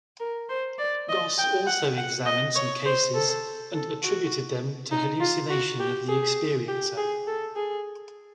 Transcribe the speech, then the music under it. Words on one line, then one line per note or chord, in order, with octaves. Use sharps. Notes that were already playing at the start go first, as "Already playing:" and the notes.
Goss also examined some cases and attributed them to hallucination of the experiencer.
A#4
C5
D5
D#5
G5
F#5
F#5
D#5
C#5
C5
A4
A4
F#4
D#4
F4
F#4
G4
G#4
G4
G#4
A4
G#4